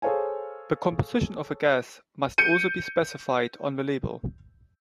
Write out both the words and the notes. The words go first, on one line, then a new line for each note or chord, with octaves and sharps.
The composition of the gas must also be specified on the label.
G#4 A4 C5 C#5 F5 G#5
G6 C#7 D#7